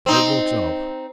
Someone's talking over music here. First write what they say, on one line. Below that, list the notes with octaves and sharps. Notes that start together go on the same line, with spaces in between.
They looked up.
C4 D#4